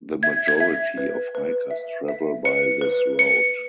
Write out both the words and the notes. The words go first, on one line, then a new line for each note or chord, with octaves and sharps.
The majority of hikers travel by this route.
E5 G#6
G#6
E5
B4
B4
E5
E5
B4 C#7
B4
B4 C#7